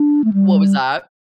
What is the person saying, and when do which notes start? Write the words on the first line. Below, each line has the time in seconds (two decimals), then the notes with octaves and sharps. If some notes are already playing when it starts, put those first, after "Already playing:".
What was that?
Already playing: D4
0.24 A3
0.33 G3